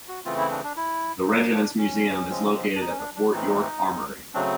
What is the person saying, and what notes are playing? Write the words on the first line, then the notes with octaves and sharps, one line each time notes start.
The regiment's museum is located at the Fort York Armoury.
F#4
C#3 E3 A3 C4 F4
E4
D4
D4
E4
A2 F3 A#3 D#4
D4
C#4
C#3 F3 G#3 C4
D4
D#4
C#4
D4
D4
A2 E3 A3 C4 D#4
C#3 F#3 A3 C4 D4